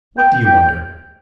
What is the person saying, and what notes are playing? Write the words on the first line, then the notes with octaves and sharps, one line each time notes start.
"What do you wonder?"
G5
G5